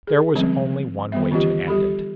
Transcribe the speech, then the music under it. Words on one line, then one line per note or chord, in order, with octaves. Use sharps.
There was only one way to end it.
G#4
D3 F3 G3 G#3 C4 C#4
D#3 G3 B3 E5
D3 E3 C#4 F4 G4 D#5
G3 G4 A4 B5